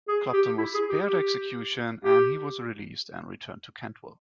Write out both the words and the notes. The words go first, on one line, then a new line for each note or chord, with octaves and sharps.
Clopton was spared execution and he was released and returned to Kentwell.
G#4
G4
E4
G#4
G4
G4
G4